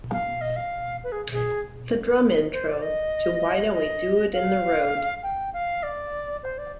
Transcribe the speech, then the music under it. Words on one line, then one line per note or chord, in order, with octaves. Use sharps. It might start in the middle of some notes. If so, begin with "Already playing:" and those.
The drum intro to Why Don't We Do It in the Road?
F5
D#5
F5
B4
G#4
G#4
C5
D5
D#5
D#5
F5
G5
F5
D5
C5
D5